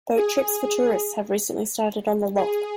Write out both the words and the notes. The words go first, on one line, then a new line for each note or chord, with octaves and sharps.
Boat trips for tourists have recently started on the loch.
G#4
G#4